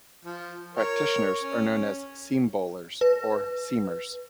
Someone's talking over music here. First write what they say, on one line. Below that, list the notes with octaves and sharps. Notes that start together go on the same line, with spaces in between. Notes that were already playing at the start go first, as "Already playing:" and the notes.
Practitioners are known as "seam bowlers" or seamers.
F3
A#4 C#5
C#4
B4